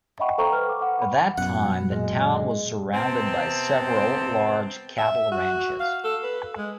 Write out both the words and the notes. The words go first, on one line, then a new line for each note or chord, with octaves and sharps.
At that time the town was surrounded by several large cattle ranches.
D#5 E5 F#5 G5 B5 C#6
A4 C5 F5 G5 A#5 C#6
B4 F6
D6
F#5
F#5 B5
F#2 B2 F#5
A#2 G#3
C3 B3 C4 G5 A5
E5
F#4
F5
A4
B4
G#3